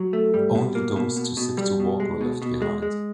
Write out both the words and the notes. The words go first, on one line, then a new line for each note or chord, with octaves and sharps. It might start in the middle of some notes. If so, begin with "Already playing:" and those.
Only those too sick to walk were left behind.
Already playing: F#3
A3
G3
B2
A#3
B2
B2
B2
G3
B2
G#3
B2
B2
G#3
G#3